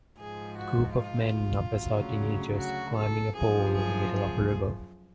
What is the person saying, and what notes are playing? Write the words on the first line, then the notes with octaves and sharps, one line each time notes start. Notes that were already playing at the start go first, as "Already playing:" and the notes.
A group of men of assorting ages, climbing a pole in the middle of a river.
G#2 F3 G#4
F#4
F4
D2 C#3 F#3
F#4
A4
F#2 F3 G#4
G#4
G#4